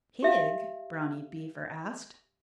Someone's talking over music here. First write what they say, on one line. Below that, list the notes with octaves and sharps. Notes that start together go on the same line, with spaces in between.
"Pig?" Brownie Beaver asked.
G4 E5 F5